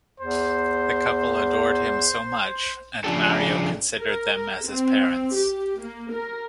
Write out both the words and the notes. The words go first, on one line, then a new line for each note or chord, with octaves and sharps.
The couple adored him so much and Mario considered them as his parents.
E2 C5
C#3 F3 D4 G4 A4
A#4
A#4
C4
G4
A#3
A#4